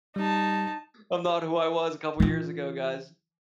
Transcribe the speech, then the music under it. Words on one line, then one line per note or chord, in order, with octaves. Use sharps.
"I'm not who I was a couple years ago, guys."
G3 D#4 A5
E3 F4